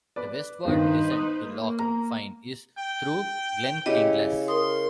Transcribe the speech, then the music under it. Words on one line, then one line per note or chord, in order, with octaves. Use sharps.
The westward descent to Loch Fyne is through Glen Kinglas.
B4 D5
G2 D#3 D#4 B4 C5
D#6
A#3
A#5
G5
C#3 E4 G4 D#5
A#4 C6 D#6